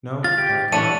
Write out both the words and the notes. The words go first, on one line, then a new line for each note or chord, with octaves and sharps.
No? Okay.
F4 A6
G4
E3 A3 D4 C#5 F#5 D#7